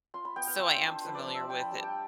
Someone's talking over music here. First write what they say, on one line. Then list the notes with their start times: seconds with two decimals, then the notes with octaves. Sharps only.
So I am familiar with it
0.14 F4 C6
0.25 B5
0.36 B3 G5
0.47 F5
0.59 F4 E5
0.75 C5
0.82 D4
0.89 C5
1.05 F3 B4
1.15 C5 D5
1.26 F3
1.35 E5
1.49 D4 G5
1.60 B5
1.71 G3 A5
1.83 G5